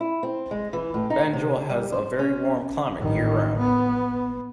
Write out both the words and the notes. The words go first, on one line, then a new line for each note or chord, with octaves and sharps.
Banjul has a very warm climate year round.
E4
C4
G#3
E3
A2
D#4
C3
D4
G3
C5
C#4
A1 D#3
B3